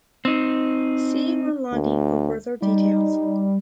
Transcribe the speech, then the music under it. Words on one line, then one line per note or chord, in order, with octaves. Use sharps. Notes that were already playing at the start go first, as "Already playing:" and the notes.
See Vanlandi for further details.
C4 D#4
D2
G3 D#4